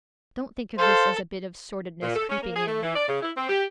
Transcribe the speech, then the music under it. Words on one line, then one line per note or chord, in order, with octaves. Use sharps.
Don't think of this as a bit of sordidness creeping in.
A4 C5 F5
A#2
A4
C#4
A#3
G#4
A3
E3
D5
C#3
E4
C4
G4